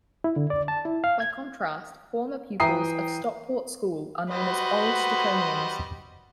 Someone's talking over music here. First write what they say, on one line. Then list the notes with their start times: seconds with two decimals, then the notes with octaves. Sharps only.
By contrast, former pupils of Stockport School are known as Old Stoconians.
0.24 E4
0.36 D3
0.50 D5
0.68 A5
0.85 E4
1.04 F5
1.20 G#6
2.60 E3 E5 G5 A#5 D#6 C7
4.31 G3 F#4 B4 C5 D#5